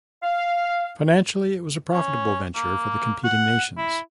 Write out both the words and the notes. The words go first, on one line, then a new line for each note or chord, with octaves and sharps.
Financially it was a profitable venture for the competing nations.
F5
C#4
A#3
F#5
E4